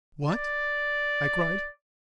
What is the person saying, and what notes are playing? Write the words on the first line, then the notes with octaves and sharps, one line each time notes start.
"What!" I cried.
D5